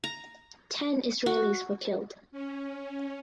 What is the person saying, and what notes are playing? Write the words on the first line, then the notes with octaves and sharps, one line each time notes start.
Ten Israelis were killed.
A#5
F#4
C#4